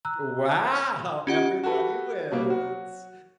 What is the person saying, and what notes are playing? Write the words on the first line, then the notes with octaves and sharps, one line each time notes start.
Wow! Everybody wins,
A#5 E6 F#6
C#4 F4 G4 F#5
F#4 G4 A4 B4
B2 G3 A#3
F#3 F#4